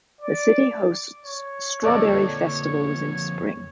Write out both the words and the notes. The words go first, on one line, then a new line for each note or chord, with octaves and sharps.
The city hosts strawberry festivals in spring.
D5
C#5
F2 A#3 A4 D5 D#5